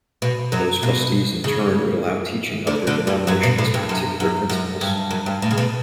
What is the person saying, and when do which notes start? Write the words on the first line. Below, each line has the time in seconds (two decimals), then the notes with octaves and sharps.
Those trustees in turn would allow teaching of their denomination's particular principles.
0.22 B2
0.52 F#2 F#3
0.83 B2
1.44 C#3
2.67 D2 D3
2.87 D2 D3
3.07 G2 G3
3.27 F#2 F#3
3.43 B2
3.58 A2
3.74 G2
3.89 F#2
4.20 F#2
4.50 F#2
4.81 G2
5.11 F#2
5.26 G2
5.42 A2
5.51 C#3
5.58 B2